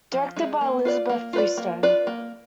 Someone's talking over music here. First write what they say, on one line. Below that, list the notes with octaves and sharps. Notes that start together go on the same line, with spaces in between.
Directed by Elizabeth Freestone.
F3
G#3 D#4
A#3
F4 B4 D5
A#3
F4 B4 D5
A#3
F4 B4 D5
A#3